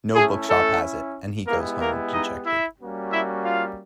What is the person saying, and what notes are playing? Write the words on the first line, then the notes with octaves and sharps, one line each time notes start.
No bookshop has it, and he goes home dejected.
A3 C#4 E4 G#4
A3 A4
G#3 A#3 B3 E4 G4 A#4
A#3 A#4
D#4 D#5
E4 E5
G3 A#3 C#4 F#4
E4 E5
F4 F5